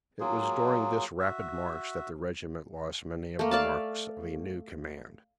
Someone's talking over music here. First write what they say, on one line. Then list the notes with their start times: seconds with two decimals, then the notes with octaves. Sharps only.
It was during this rapid march that the regiment lost many of the marks of a new command.
0.20 F#3 A#3 F4 G#4
1.19 F#4 E5
3.39 A3 A#3
3.51 D5 F5 A5